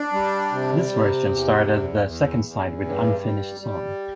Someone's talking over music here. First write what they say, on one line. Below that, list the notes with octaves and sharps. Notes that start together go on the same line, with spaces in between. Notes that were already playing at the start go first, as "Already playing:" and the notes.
This version started the second side with "Unfinished Song".
Already playing: D4
G3
C3
C3
E2
E2
E2
E2
G2
G3
G3